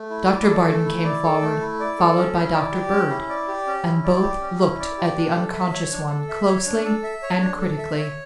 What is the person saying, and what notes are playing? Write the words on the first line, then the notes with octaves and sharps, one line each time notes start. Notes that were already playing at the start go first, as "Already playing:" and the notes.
Doctor Bardon came forward, followed by Doctor Bird, and both looked at the unconscious one closely and critically.
Already playing: A3
E4
D5
A4
A3
E4
D5
A4
A3
E4
D5
A4
C#4
E4
D5
G4
C#4
E4
D5
G4
C#4
E4
D5
G4
C#4
E4
D5
G4
D4
A4
E5
C#5
D4
A4
E5
C#5
D4
A4
E5
C#5
D4
A4
E5
C#5